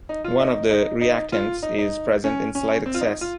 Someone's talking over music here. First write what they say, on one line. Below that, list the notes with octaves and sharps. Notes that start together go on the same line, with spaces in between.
One of the reactants is present in slight excess.
D#4
F4
D#4
D#4
D#4
F4
D#4
D#4
C#4
C#4
C4
F4
D#4
F4